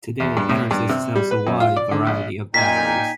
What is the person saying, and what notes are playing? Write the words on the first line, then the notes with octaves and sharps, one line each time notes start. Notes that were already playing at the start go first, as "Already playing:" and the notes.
Today, Enersys sells a wide variety of batteries.
E2
G2
A2
G2
C3
G3
B4
F#2
F4
D5
D3
A#1
A#2 D#4 G5 G#5 A#5 B6